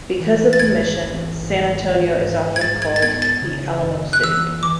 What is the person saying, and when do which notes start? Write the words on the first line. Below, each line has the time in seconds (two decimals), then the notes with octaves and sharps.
Because of the mission, San Antonio is often called the "Alamo City".
0.20 E3
0.53 A6
0.59 G#1 G#6
1.00 E3
1.41 G#1
1.81 E3
2.21 G#2
2.56 G#6
2.61 G#2 A6
2.82 G#6
2.96 A6
3.02 B3 G#6
3.22 A6
3.42 C#3
3.83 F#2
4.13 F#6
4.23 E3 E6
4.63 E3 D6